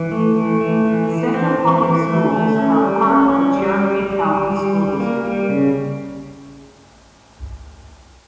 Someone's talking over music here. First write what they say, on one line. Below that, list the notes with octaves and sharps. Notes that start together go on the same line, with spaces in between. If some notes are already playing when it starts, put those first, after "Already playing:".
Centre Public Schools are part of the Cherokee County School District.
Already playing: E3
A3
E3
A3
E3
E3
C4
E3
E3
A3
A3
C#4
G3
C#4
C#4
G3
G3
G3
G3
G3
G3
A#3
G3
C#3